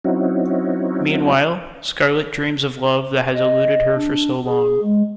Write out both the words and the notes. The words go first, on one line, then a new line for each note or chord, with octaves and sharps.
Meanwhile, Scarlett dreams of love that has eluded her for so long.
F#3 C4 C#4 D#4 E4 F#4
D#5
D4
G#4
G#3